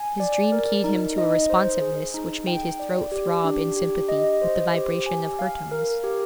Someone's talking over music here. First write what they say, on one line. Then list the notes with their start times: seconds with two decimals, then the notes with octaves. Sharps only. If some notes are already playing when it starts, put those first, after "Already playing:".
His dream keyed him to a responsiveness which made his throat throb in sympathy with the vibration of her tones.
Already playing: G#5
0.20 D5
0.52 A#4
0.84 D#4
1.18 D#5
1.50 C5
1.81 G#4
2.14 D#4
2.47 G5
2.80 D5
3.12 G4
3.44 D4
3.76 G4
4.09 D#5
4.41 C5
4.74 G4
5.06 G#5
5.39 F5
5.71 A#4
6.04 G4